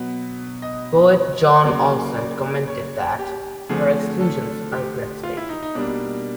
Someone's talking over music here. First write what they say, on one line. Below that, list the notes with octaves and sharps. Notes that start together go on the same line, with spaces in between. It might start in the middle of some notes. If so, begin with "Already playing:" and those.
Poet John Olson commented that "her exclusions are breathtaking".
Already playing: B2 F#3 B3
D#5
C#3 F#3 A#3 D5
D5
C#5
G4
D3 F3 A3 C4 G#4
A4
G4
F4
E4
D#4
D#4
B2 G3 A#3 D4